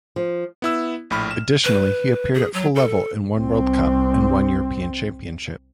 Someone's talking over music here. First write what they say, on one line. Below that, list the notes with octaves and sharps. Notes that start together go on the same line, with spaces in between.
Additionally, he appeared at full level in one World Cup and one European Championship.
F3
B3 E4 E6
A#1 A2 B5 F6
E7
B4
G#4
F#3
A4
C2 C4